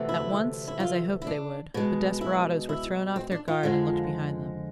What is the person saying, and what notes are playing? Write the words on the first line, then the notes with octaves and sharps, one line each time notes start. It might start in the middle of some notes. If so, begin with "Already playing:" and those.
At once, as I hoped they would, the desperadoes were thrown off their guard and looked behind them.
Already playing: D2 C3 E3 A3
E4
E4
F4
E4
D4
B2 G#3
E4
E4
C4
D4
F4
F2 D3 F3 G#3